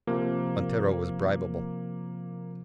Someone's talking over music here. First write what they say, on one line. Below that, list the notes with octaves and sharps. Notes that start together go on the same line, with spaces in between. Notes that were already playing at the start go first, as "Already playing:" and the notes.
Montero was bribeable.
C3 F3 A#3